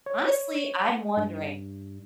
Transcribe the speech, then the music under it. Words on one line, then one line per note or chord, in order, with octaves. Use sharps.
honestly, I'm wondering
C#5
G2